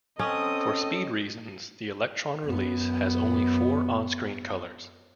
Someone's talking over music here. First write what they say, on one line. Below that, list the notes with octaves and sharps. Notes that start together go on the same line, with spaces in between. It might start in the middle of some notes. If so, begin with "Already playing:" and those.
For speed reasons, the Electron release has only four on-screen colours.
C4 C#4 A4 D#5 D#6
F#2 B3